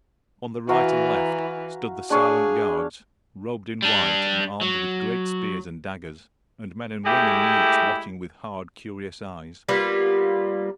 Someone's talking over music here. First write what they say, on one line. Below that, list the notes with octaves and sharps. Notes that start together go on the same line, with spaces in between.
On the right and left stood the silent guards, robed in white and armed with great spears and daggers, and men and women mutes watching with hard curious eyes.
E3 F#4 F5 A#5
D4 G#4 C#5 F5
G3 D4
F#3
G#3 A3 E4 G4
G3 A#3 B3 F4